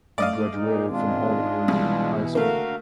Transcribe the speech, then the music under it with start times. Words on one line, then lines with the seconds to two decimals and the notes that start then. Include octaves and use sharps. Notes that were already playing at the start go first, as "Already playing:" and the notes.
He graduated from Hollywood High School.
0.18 A3 D5 D#5 F5
0.53 A#2 G#3 D#4
0.90 B2 D#3 C4 D4 F4
1.68 C2 B2 E3
2.35 D3 A3 A#3 F#4 A#4 F5